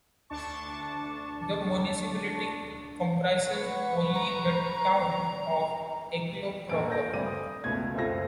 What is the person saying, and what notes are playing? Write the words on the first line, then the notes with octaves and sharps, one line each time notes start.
The municipality comprises only the town of Eeklo proper.
D2 D4 A5 C#6
B4 F#5 C#6
A#5
A#1 A4 D7
A#4 G6 A#6
D2 G2 C4 D5 D#7
D#6
C#2 B2 A3 G#6
F#1 C#2 C4 F4 A4 A#6